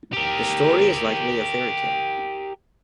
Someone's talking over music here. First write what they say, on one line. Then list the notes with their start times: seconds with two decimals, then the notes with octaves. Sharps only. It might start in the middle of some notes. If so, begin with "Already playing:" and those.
The story is likely a fairy tale.
0.13 G4 A#4